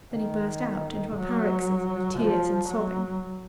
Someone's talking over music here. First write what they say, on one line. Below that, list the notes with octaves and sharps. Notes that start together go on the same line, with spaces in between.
Then he burst out into a paroxysm of tears and sobbing.
D#3
F#3
F3
F#3